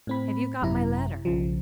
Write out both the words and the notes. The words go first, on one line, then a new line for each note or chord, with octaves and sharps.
Have you got my letter?
A2 C4 B5
G#1 F#2 C3 E4 A#5
B1 C#3 F3